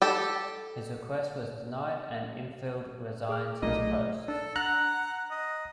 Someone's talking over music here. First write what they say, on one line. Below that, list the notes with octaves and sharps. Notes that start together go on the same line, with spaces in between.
His request was denied and Infeld resigned his post.
G4 A4
G#4 D6 F6
B1 A#2 A3 D#5
D4 A4
F#5 A#5 F#6
D#5